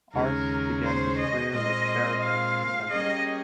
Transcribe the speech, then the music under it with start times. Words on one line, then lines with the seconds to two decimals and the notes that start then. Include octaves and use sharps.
Arce began his career with Barracas Central.
0.13 D#2 C#3 G#3 C#4 G#4 A#4
0.83 C5
1.17 D#5
1.52 A#2 G#3 C4 F4 C5 D#5
2.22 F5
2.90 G3 A#3 C#4 G#4 D#5